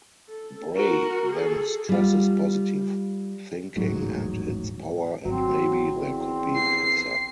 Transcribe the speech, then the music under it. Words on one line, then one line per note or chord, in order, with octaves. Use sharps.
Bray then stresses positive thinking and its power and maybe there could be pizza.
A4
F#4 A#4
G#4 A4
G3 F4
D#1 A1 G#2 F#3
G#1 F#3 C4
E2 C4
C7